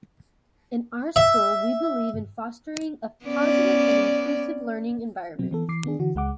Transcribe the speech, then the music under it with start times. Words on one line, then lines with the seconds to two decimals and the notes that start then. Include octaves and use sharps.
In our school, we believe in fostering a positive and inclusive learning environment.
1.16 E5
3.25 B3 C#4 D5
5.39 B2 F#3 B3 C4
5.51 E3 B3 A4
5.68 E3 D6 C7
5.85 D#3 B3 D4 G#4
6.00 D3 E3 F#4
6.15 C#2 G#3 F#5 D6